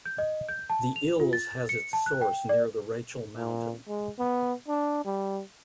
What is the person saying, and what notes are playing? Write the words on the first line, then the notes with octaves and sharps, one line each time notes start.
The Ilz has its source near the Rachel mountain.
G6
D#5
G6
A5
F7
F4
A6
C#7
A5
F#6
G5
D5
A#2
G#3
B3
D4
G3